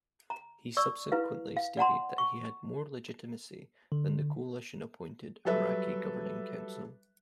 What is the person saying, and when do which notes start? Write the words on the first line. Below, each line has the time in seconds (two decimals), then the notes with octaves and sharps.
He subsequently stated that he had more legitimacy than the Coalition-appointed Iraqi Governing Council.
0.30 A#5
0.77 D5 C#6 E6
1.12 E4 B4 F5
1.57 F5
1.77 D5 F#5 A#5 C6
2.18 C#6
3.92 D3
5.45 F#3 G3 A4 B4 E5